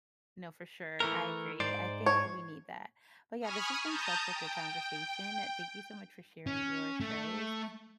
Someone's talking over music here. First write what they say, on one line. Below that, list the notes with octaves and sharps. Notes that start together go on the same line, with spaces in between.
No, for sure, I agree, I think we need that, but yeah, this has been such a good conversation, thank you so much for sharing your shows
E3 A3 A#4
G#2 C5 D5
C#5
G#5 B5 C#6 D#6 F6
A5 A#5 D#6 G6
G5
C#4
A3